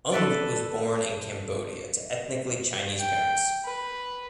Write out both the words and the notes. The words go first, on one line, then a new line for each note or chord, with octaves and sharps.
Ung was born in Cambodia to ethnically Chinese parents.
A4 B4 D5
G5
B4